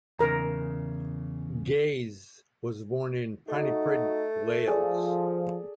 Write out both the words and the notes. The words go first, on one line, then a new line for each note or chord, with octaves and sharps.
Gaze was born in Pontypridd, Wales.
E2 C#3 A#4 A#5
A3 D#4 F#4
F3 G#4 A4 D5